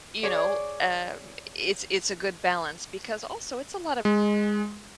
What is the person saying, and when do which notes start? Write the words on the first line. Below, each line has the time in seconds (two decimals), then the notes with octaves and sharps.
you know, um, it's it's a good balance because also it's a lot of
0.23 G#4 C#5 D5
4.05 G#3